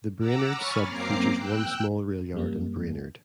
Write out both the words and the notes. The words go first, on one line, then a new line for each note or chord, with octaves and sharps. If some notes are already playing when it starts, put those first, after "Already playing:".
The Brainerd Sub features one small rail yard in Brainerd.
F#5 A#5 D6 E6
C#5 G#5 B5 C#6 F6 A6
F#2 A#3 C4 A#5 D6 C7
G5 E6 F#6
F#2 G3 A#3